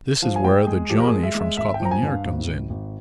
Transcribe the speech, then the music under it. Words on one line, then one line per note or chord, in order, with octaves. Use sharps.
This is where the Johnny from Scotland Yard comes in.
F3 F5
G#5
G#3 G5
G#3 G#4
F3 G4
A#4
G#4
G#3
E5
G#3
E5
G#1 E5
G5
F3
A#5
G#5
G2
F5
G#1
G#1
G#1